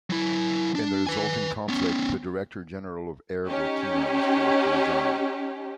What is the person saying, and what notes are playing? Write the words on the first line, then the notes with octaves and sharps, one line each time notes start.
In the resulting conflict, the director-general of Air Burkina was forced to resign.
F#3 E4
D4
B4 G#5
B3 C#4
C#4 D#4 G4